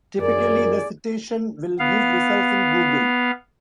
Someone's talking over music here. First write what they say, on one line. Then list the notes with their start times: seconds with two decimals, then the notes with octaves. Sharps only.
Typically the citation will give results in google.
0.20 F#2 G#4 A#4 D5
1.79 B3 F5